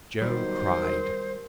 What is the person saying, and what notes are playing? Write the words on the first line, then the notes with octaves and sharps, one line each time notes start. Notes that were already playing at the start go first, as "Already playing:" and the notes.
Joe cried.
B2 D#3 F#3 G3 A#4 C5
A#4